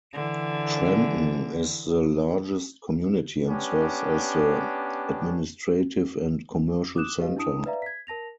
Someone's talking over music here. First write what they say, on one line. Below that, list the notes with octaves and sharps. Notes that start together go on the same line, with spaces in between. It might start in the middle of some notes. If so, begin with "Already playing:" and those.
Trenton is the largest community and serves as the administrative and commercial centre.
D3 E3
B3 C#4 D4 G4
D6 D#6 F#6 E7
F#4 G4 B4 D#5 F5
D4 E4 A5 D#6
B4 D5 E5 F5 A#5
G#6 B6
A#4 A5 A#6 F7